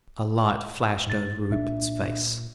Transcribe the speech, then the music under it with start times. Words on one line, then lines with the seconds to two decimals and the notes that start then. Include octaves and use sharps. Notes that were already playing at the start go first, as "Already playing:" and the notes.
A light flashed over Rupert's face.
1.07 G#2 A6
1.51 C2 A#2 D4 E5